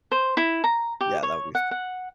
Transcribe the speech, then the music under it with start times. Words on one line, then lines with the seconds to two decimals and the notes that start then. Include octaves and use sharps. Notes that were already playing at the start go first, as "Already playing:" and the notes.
Yeah, that would be f cool.
0.11 C5
0.37 E4
0.64 A#5
1.01 G4
1.23 C#5
1.55 F#5
1.71 F#5